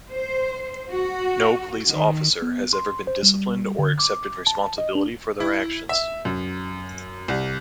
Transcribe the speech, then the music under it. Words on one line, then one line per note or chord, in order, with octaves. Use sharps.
No police officer has ever been disciplined or accepted responsibility for their actions.
C5
F#4
D#3
B3
C6
C5
G3
D3
D6
A5
D#5
D4
E4
E5
F#2
C2